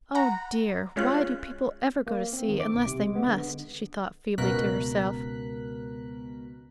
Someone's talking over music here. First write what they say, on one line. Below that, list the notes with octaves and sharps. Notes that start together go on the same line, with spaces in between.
"Oh, dear, why do people ever go to sea, unless they must?" she thought feebly to herself.
F#5 A#5
G#3 C#4 F4 F#6
A#3
C4
D#3
D6
B1
C3
G#3
B3
D3
C#2 B2 A#4 F#6 B6